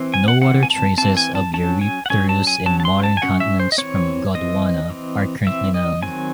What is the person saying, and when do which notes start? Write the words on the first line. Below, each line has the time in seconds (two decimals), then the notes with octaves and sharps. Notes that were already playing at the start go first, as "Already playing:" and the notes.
No other traces of "Eurypterus" in modern continents from Gondwana are currently known.
Already playing: E3 C4
0.14 G#5
0.28 F#5
0.42 E3 C4 F#5
0.63 G#5
0.70 A5
0.98 E3 C4 A5
1.17 G#5
1.35 A5
1.54 F#3 C#4 A5
1.81 G#5
2.06 F#5
2.10 F#3 C#4 G#5
2.29 A5
2.47 G#5
2.66 F#3 C#4 A5
2.80 A5
2.85 C6
3.03 A5
3.17 G#5
3.22 F#3 C#4 F#5
3.40 E5
3.60 C5
3.72 D#5
3.78 E3 C4 C#5
4.34 E3 C4 D#5
4.90 E3 C4
5.47 E3 C4 E5
5.74 D#5
6.02 D#3 F#3 C4 G#5